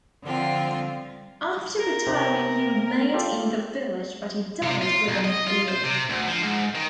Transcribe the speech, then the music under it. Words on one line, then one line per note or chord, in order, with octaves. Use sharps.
After retiring he remained in the village but he died within a year.
D3 F3 C4 F4
A#4
C3 G4
F4 G4 A4
C3
F4
B1
D#5
F4
C5
C3
D2
F3
G#2
D#3